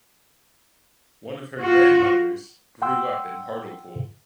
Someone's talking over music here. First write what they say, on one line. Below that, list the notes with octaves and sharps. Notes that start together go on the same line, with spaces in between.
One of her grandmothers "grew up in Hartlepool".
F4 F#4
F#5 G5 C6 E6